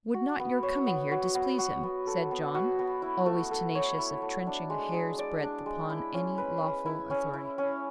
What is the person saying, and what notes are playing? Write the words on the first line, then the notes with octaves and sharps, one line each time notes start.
"Would not your coming here displease him?" said John, always tenacious of trenching a hair's breadth upon any lawful authority.
F#4
B3
C#5
B3
F#4
B3
F#4
B3
A4
B3
F#4
B3
E4
A3
A4
C#5
E4
A3
D4
G#3
G#4
D5
D4
G#3
E4
C#4
B4
C#4
E4
C#4
E4
C#4